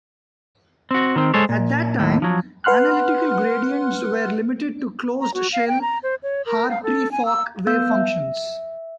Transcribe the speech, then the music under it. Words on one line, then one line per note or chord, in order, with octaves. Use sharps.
At that time, analytical gradients were limited to closed-shell Hartree-Fock wavefunctions.
C4 F#4
D#3 C4
G#3 A4 C5 C#5
A#2
D#2 A2
F3 F#3
B4 F#5 C6 F6 F#6
A#5
F#4
F5
G5
A#5
C5
C#5
A#4
F5
A4
G#5
E6
B3 F5 E6 G6
E5